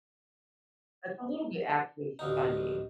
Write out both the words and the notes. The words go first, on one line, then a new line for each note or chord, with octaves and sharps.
That's a little bit actually funny.
A1 D2 D#4